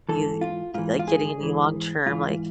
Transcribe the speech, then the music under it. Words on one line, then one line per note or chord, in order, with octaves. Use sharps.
be, like, getting any long term, like,
G#2 E3 A4
F4
G#2 E3 F4
F4
G#4
G#2 E3
G#2 E3 F4